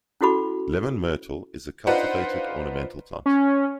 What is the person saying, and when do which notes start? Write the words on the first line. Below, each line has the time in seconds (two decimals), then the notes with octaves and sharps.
Lemon myrtle is a cultivated ornamental plant.
0.21 C#4 E4 F#4 A4 B5 C#6
1.87 D4 D#4 F4 B4 C5 F#5
3.26 C#4